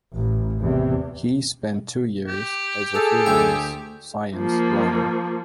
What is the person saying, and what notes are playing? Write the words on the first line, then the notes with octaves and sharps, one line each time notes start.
He spent two years as a freelance science writer.
A1
E2 C3
G4
G#4 A4
D2 G5
F3 A#3